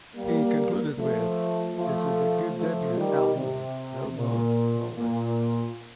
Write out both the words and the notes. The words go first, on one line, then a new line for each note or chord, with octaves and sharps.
He concluded with, This is a good debut album-no more, no less.
G3 A#3
F3 A3
F3 A3
F3 A3
D#3 G3
C3
A#2
A#2